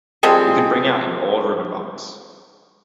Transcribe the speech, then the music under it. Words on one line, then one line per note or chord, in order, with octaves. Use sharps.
You can bring out your old ribbon-box.
F3 G3 G#3 C4